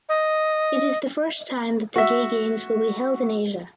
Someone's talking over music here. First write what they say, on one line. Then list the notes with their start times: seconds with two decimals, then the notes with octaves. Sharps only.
It is the first time that the Gay Games will be held in Asia.
0.09 D#5
1.96 F#4 E5